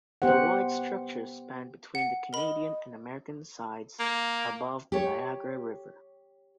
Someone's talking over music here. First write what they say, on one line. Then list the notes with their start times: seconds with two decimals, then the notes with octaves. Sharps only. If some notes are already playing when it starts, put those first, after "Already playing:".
The wide structure spanned between the Canadian and American sides, above the Niagara River.
0.22 B3 G4 C5 F#5
1.95 F#5
2.33 A#4 D#5 B5
4.00 A#3
4.92 G4 C#5